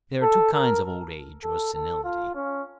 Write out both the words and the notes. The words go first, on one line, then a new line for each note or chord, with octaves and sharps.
There are two kinds of old age or senility.
A4
A#4
A4
A4
F4
C#4